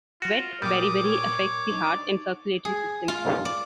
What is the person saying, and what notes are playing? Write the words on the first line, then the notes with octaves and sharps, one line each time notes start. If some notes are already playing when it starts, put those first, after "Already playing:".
Wet beriberi affects the heart and circulatory system.
F4 F#4
A#2 G3 G5 D6 D#6
C#5
D4 D#4
D5
G#4
F4
D5